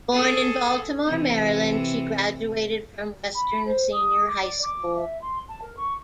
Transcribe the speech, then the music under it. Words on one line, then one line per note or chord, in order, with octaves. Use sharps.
Born in Baltimore, Maryland, she graduated from Western Senior High School.
G#4 A4
C3 E3
B5
C5
D#6
D6
D5
D6
E5
C6
A5
A#4
C#6